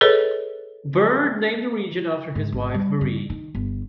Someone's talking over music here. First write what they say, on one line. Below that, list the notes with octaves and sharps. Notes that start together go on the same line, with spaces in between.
Byrd named the region after his wife Marie.
G#4 A4 B4 C#5 D#5
G#2
G#1
G3
G2
D#3
G1